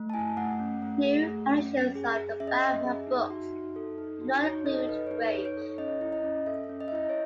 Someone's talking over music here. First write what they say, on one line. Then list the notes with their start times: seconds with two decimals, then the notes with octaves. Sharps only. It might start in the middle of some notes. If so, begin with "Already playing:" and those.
New editions of "The Bachman Books" do not include "Rage".
Already playing: A3
0.10 A5
0.14 E4 G#5
0.37 A3 F#5
0.60 C#4
0.82 A3
1.05 G#4
1.27 A3
1.49 C#4
1.72 C#4
1.95 G#4
2.17 G#4
2.40 C#4 E5
2.47 D#5
2.55 E5
2.63 C#4
2.85 G#4
3.07 D#4
3.30 F#4
3.53 D#4
3.76 A4
3.98 D#4
4.21 F#4
4.43 D#4 C#5
4.66 A4 D#5
4.88 A4 B4
5.07 C#5
5.11 D#4 B4
5.28 C#5
5.33 D#4
5.45 C#5
5.57 A4 C#5
5.78 C#4 D#5
6.01 E4
6.12 D#5
6.24 C#4
6.46 A4 E5
6.69 C#4
6.80 D#5
6.88 E5
6.92 E4 D#5
7.09 C#5